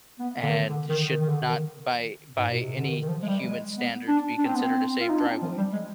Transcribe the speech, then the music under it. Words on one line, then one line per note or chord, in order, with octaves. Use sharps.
and should not by by any human standards be considered a safe driveway,
B3
D3
D#3
D3
D#3
D#3
D#3
D3
D#3
G#2
B2
C3
D3
D#3
D#3
F3
G#3
G3
G#3
B3
D4
D4
C4
B3
C4
F4
D#4
D4
C4
F3
G3
G#3